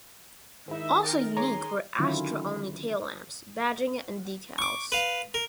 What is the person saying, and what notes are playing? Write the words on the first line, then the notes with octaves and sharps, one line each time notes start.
Also unique were Astra-only tail lamps, badging and decals.
G#2 D#3 D#4 E4 E5
A#4 G5 D#6 A6
G#3 G#4 C#5 G#5 A#5 C6 D6
D3 D#3 F#3 C#4 E4 F4
C#6 D6
B4 F5
A#4